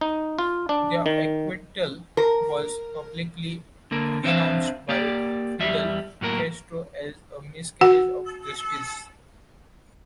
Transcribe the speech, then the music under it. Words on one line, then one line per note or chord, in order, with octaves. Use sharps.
Their acquittal was publicly denounced by Fidel Castro as a miscarriage of justice.
D#4
F4
D4
D#3
A#4
D3 A#3 A#4
C4 D4 C5 D5 E5 F5
A#3 G4 D5
E2 G3 E5
A2 F#3 A#3 A#4
F#4 F#5